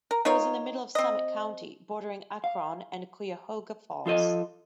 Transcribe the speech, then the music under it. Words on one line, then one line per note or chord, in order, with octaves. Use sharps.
It was in the middle of Summit County, bordering Akron and Cuyahoga Falls.
A#4
D#4 F4 A#4 C#5
C4 D#5
F5
F3 F4 A4 D#5